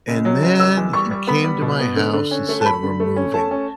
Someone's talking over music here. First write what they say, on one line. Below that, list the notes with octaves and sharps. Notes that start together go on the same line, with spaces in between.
and then he came to my house and said, "We're moving,"
C#2
F#3
C#2
G3 E6
E2
G3 C#6
G3
B3 B5
G3
B2
B3
D3
D3
C#4
A3
A5
A3 B5
D3
A3
C#4
A3 A5
C#4